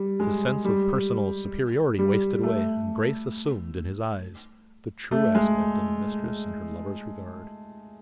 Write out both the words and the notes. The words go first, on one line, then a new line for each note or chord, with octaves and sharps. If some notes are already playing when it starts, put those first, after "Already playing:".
His sense of personal superiority wasted away, and Grace assumed in his eyes the true aspect of a mistress in her lover's regard.
Already playing: G3
G#3
G3
G3
A3
A3
G#3